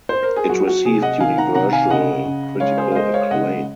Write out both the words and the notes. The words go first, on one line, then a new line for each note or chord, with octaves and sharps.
It received universal critical acclaim.
C5
A#4
G#4
F#3 F#4
F#4
C3 G#4
D#5 F#5
D#3 F5 G#5
F#5 A#5
C3 F#5 A#5
F5 G#5
C#3 D#5 F#5
C#3
G#3 C#5 F5
G#4 C5
F5
G#3 C5 D#5
C#5 F5
C#3 D#5 F#5